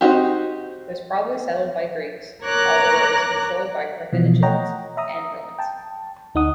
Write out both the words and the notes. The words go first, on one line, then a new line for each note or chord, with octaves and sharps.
It was probably settled by Greeks, although it was controlled by Carthaginians and Romans.
C4 D#4 F#4 G4
A#4 C#5 A#5 D6 F#6 A#6
B2 E3 F3
C#5 D#5 F#5 G5 A#5
E5 A#5 D#6
G5 A5
D2 D#4 F#5 D#6